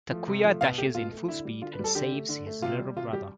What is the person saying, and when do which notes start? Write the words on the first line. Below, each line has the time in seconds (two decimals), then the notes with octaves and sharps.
Takuya dashes in full speed and saves his little brother.
0.10 F3 A3
0.28 C3
0.44 F3 A3
0.61 B2 F5
0.78 A3 G4
0.95 B2 F4
1.12 A3
1.28 D3 E4
1.45 G3
1.62 D3 F4
1.73 B4
1.79 G3 A4
1.95 D3 G4
2.12 A3
2.29 D3
2.46 A3
2.62 C3 F4
2.80 G3
2.96 C3 F4
3.13 G3 G4